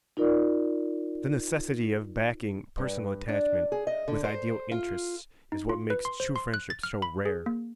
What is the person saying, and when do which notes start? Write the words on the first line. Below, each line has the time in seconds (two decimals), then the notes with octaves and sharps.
The necessity of backing personal attachment with ideal interests is what makes true friendship so rare.
0.17 D#4 F4 A#4 D5
2.78 G2
3.28 D4
3.72 G#4
3.87 D#5
4.08 D3
4.25 C5
4.72 F4
5.52 D#4
5.69 F4
5.90 B4
6.05 C6
6.20 C5
6.36 C6
6.54 F#6
6.70 A6
6.83 F6
7.02 B5
7.26 G#4
7.46 A#3